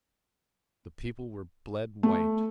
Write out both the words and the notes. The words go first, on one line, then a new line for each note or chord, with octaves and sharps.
The people were bled white.
A3